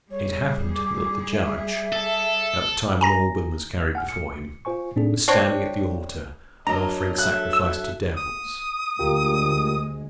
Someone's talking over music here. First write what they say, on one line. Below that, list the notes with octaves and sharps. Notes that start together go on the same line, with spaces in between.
It happened that the judge, at the time when Alban was carried before him, was standing at the altar, and offering sacrifice to devils.
G3 G#4 C#5
D6
E5
A4
G#5 A#5 A#6
F#5 G#5 F6
C#7
F4 C5 G#5 C#6
A2 C4 D4 D#4 G#4 A4
C4 D4 C#5
F#3 D4 A#4 D#5 A#5
A4 E5 F#6
E6
D#6
D2 G#3 F4 G4 A#4